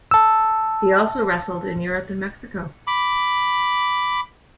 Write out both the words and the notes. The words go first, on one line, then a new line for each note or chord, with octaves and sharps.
He also wrestled in Europe and Mexico.
A5 E6
B5 D6